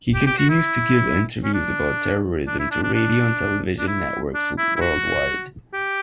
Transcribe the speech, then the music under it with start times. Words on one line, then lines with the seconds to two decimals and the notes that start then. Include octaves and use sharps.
He continues to give interviews about terrorism to radio and television networks worldwide.
0.14 G4
0.26 G4
0.38 F#4
0.49 E4
1.44 C#4
1.54 D4
2.47 D4
2.59 E4
2.71 D4
2.83 D4
2.94 D4
3.79 D4
3.87 E4
4.34 D4
4.58 E4
4.76 E4
4.81 F#4
5.74 G4